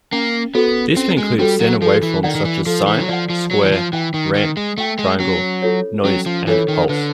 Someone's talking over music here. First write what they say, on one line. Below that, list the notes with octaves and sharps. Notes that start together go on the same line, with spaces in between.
These can include standard waveforms such as sine, square, ramp, triangle, noise and pulse.
A#3 C#4
B3 F#4 A4 C5
C4 C#4
G#3
G3 F#4 A4 C5
F#3
F3 A4
E3
D#3 D5 F#5
D#3
E3
F3 A4
E3
F#3
F3 D5 F#5
F3
F#3 C5
E3
F3
E3 E5 G5
D#3
D#3 C5
G#3
A3 E5 G5
G#3
F#3 C#4
F4 A4 C#5
F#3 C#4
F3
E3 F4 A4 C#5
D#3
D3 B4